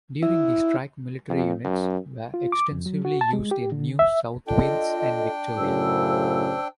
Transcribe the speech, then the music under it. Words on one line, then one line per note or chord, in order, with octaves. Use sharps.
During the strike military units were extensively used in New South Wales and Victoria.
E4
F2
F#2
F4
D6
F2
F#3
F#4
A5
G#3
G4
D3
E5
D4 F4 A4 D#5 G5
F#2 A2 C#3 C5 E6